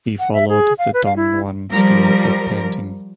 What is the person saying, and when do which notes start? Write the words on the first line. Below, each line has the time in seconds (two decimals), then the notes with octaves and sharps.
He followed the Dong Yuan school of painting.
0.19 F#5
0.34 E5
0.49 G#4
0.79 F5
0.94 B4
1.05 F5
1.17 E4
1.71 F3 G3 A#4